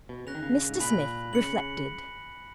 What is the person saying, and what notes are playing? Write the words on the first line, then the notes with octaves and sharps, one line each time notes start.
Mr Smith reflected.
B2
C#3 F#6 A#6 F7
D#3
C#3
G#2
A#2 G#5 B5 F#6 B6 F#7
C#3 C#7 F#7